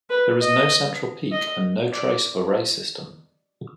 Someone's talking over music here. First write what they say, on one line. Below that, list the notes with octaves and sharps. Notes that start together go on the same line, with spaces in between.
There is no central peak, and no trace of a ray system.
B4
D#5
D#5
D5